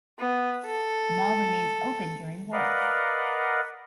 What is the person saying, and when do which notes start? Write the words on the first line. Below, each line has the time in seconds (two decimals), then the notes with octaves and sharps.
The mall remains open during works.
0.19 B3
0.66 A4
2.52 A#4 B4 D5 D#5 F5 F#5